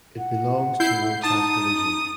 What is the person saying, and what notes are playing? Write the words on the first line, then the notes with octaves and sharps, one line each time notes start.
It belongs to Rohtak Division.
F#5
E4 G6 C7
D#4 A5 D#6